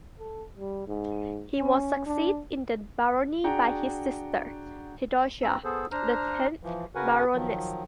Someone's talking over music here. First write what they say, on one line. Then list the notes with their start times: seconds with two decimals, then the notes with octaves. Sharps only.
He was succeeded in the barony by his sister Theodosia, the tenth Baroness.
0.20 A4
0.57 G3
0.88 G#2
1.58 C#4
2.06 D4
3.44 D4 F#4 G#4 F#5 G5 A#5
5.43 G2 C4 A#5 E6
5.64 B3 G#4 A4 C5
5.92 D4 C5 A#5 F6
6.63 E3 F3
6.95 C#3 F#4 A#4 B4 F#5 G#5
7.35 D#3 F3 F#3